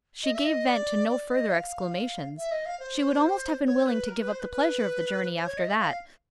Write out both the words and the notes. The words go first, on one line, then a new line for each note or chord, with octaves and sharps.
She gave vent to no further exclamations. She would almost have been willing to give up the pleasure of the journey after that.
D#5
E5
D#5
D5
D5
D#5
F5
E5
D#5
F5
C5
C#5
B4
A#4
B4
C5
B4
B4
C5
C#5
D#5
E5
F5